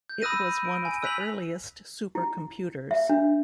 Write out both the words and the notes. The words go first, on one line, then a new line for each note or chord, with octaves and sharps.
It was one of the earliest supercomputers.
G6
B5 D#6 E6 F#6 A#6 D#7
D7
G#5
E6 F#6 G6 B6 F7 F#7
E4
E5
D4